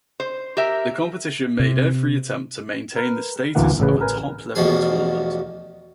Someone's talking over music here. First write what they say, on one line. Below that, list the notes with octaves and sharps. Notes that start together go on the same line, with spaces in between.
The competition made every attempt to maintain the status of a top-level tournament.
C5
G4 A#4 E5
C3
A#4 B4
A1 D2 E3 A#3 F#5
A1 C#3 B4
A#4 B4 G#5
A1 E2 B2 F3 G#4